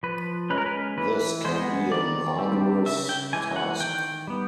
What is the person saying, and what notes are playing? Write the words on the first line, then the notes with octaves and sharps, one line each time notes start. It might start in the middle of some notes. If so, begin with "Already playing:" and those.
This can be an arduous task.
F3 B4
G#3 C#4 B4
A#4
B4
E3 B4
G#3 B3 C5
D#3 D5
G3 C4
C#3 E5
G5
E3 G#3 G#5
F#5
D#3 G5
G3 B3